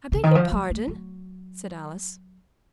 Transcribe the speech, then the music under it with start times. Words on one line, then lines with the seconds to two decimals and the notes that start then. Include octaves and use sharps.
'I beg your pardon?' said Alice.
0.12 C#3
0.23 D#3
0.35 F3
0.52 F#3
0.70 A3
0.88 F#3